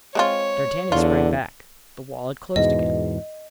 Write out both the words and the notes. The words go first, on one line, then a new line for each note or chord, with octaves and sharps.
D'Artagnan sprang back; the wall had closed again.
G#3 C4 F4 C#5
E2 D3 F4
E2 G#2 B2 D#5